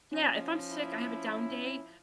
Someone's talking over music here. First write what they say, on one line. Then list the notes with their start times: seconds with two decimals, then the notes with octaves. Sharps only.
yeah, if I'm sick, I have a down day,
0.12 F3 C#4
0.70 E4